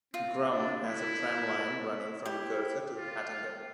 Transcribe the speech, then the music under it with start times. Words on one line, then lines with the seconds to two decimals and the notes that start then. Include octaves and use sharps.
Grumme has a tram line running from Gerthe to Hattingen.
0.13 C4 F4
0.49 D4
0.85 E4
2.25 E4 G4
2.96 F4